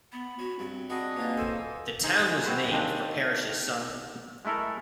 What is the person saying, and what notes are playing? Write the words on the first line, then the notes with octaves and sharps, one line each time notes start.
The town was named for Parish's son.
B3 B5
C#4 F#4
G2 C4
C4 D4 F#4 G#4 B4 D#5
B2 A#3 C#4 D#4 F4
A4 C5 G#5 E6
D#4 G#4 C5
C4 F#4 G#4 B4 C5
D#2 G3 C4 D4 D#5 A5
G#3 A3 E4 A4 A#4